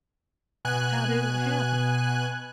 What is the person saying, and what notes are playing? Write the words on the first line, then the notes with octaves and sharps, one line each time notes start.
"How did it happen?"
B2 G#5 F#6